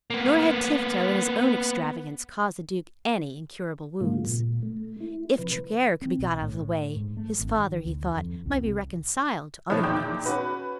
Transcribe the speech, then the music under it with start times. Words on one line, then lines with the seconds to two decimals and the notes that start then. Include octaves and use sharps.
Nor had Tifto and his own extravagance caused the Duke any incurable wounds. If Tregear could be got out of the way, his father, he thought, might be reconciled to other things.
0.10 A#3 B3
4.01 G#2 C#3 F#3 G#3 A#3 F4
4.27 A#2
4.63 A3
5.00 E4
5.38 C3 F3 B4
6.02 C4
6.19 B1
6.42 A2
6.96 G#2
7.17 A3
7.39 G#1
7.56 D#3
7.85 D2
8.16 F2
8.46 C2
9.70 C2 B2 F3 C#5 C#6
9.83 E2 A#2 D#3 G5 G6
10.26 C#4 F#4 B4